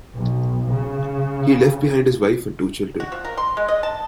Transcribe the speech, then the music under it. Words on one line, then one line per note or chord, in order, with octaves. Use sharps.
He left behind his wife and two children.
B1
C#3
F#4
F3
A#4
C6
G#3
D#5
A5